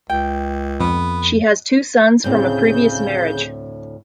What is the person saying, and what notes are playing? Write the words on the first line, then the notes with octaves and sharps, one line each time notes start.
She has two sons from a previous marriage.
C#2 G5
F2 B3
D2 A2 C#3 C4 G6